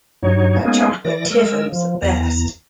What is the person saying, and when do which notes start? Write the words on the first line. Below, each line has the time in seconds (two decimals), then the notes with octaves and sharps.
That chocolate tiffin was the best!
0.23 G2 F#3 D#4 C#5
0.63 G#3 A#3 B3 C#4 D#4 G#4
1.04 E3 D5 A#6
1.30 G#3 A#4 E6
1.72 F3
2.02 E2 A#5